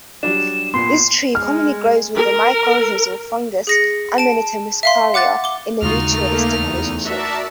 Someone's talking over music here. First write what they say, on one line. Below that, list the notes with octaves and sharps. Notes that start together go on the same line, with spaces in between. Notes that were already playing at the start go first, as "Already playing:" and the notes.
This tree commonly grows with the mycorrhizal fungus "Amanita muscaria" in a mutualistic relationship.
F#3 G3 D4 E7
A#2 B3 C6 C7
G#3 F6
A#4
G#4 A#6 C#7
A5 D7
E5 F5 C6
F#5 D6 F#6 A6
D6 G7
D#2 C#3 G#3 D#4 F4 F#4 F6
A3 A#3
E2
F#4 A#4 D5 E5 A5